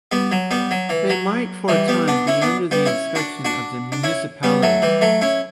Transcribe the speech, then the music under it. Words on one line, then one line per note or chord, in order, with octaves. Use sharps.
They might for a time be under the inspection of the municipality.
G3 B3
F#3
G3 B3
F#3
E3
F#3
E3 G3
G3 B3
B3 D4
C#4 E4
B3 D4
G3 B3
C#4 E4
D4 F#4
D4 F#4
D4
C#4 E4
G3 B3
F#3 A3
E3 G3
F#3 A3
C#4 E4